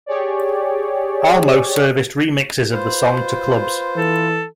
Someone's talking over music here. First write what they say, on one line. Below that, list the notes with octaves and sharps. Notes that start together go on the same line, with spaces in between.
Almo serviced remixes of the song to clubs.
G4 G#4 C#5 D5
F4 B4 C5
E3 A4